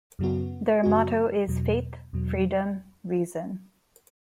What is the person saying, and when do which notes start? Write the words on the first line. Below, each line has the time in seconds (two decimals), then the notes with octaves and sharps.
Their motto is Faith, Freedom, Reason.
0.19 F#2 C#3 F#3 B3 F#4
0.84 F#2 C#3 F#3 B3 F#4
1.48 E2 B2 F#3
2.13 E2 B2 F#3